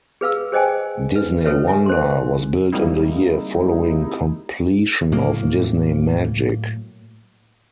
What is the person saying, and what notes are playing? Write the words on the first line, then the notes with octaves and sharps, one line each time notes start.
"Disney Wonder" was built in the year following completion of "Disney Magic".
G#4 B4 F5 E6
G#4 C5 D#5 G5 G#5
B4
A4 B4 C#5 E5
E5 G#5
C5 C6
G3 G#3 A#3 C4 D#4 E4
A2 F#3 A#3